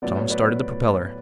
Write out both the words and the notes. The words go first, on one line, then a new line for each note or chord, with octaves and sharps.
Tom started the propeller.
A2 F#3 B3 D5
C#5
B4 D5